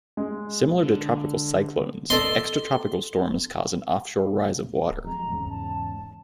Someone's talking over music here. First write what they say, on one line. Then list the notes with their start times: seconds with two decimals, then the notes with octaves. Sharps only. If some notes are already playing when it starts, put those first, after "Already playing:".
Similar to tropical cyclones, extra-tropical storms cause an offshore rise of water.
0.17 G#3
0.83 D3
2.10 A4 D5 D#5 C6
5.04 D1 F2 G#3 A#5
5.29 E2 G#2 C#3
5.49 A5